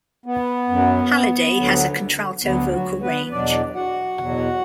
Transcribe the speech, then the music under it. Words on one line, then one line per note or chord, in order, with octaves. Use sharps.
Halliday has a contralto vocal range.
B3
F#2 F#3
D2 D3 F#3
D2 D3 F#3 B3
F#3 F#4
B3 B4
E2 B2 F#3 D4 D5
F#4 F#5
E2 B2 F#3